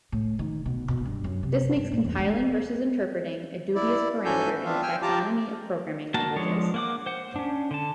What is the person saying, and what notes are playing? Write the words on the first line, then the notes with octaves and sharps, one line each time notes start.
This makes compiling versus interpreting a dubious parameter in a taxonomy of programming languages.
A2
D#3
B2
B2
G2
F#2
C3
G2
A#2
E2
G#3
E4 D5
G#2 C#4 F#4 A4 G#5 G6
B3 C4 D4 F4 E5 F5
G5 G#5 E6 F6
F4 G4 A5 A#5 D6
A#3 F#4 A#4 A5
F3 G#3 D4 C#5
A#3 F#5 D6
C5 F#5
C#4 D4
D3 A5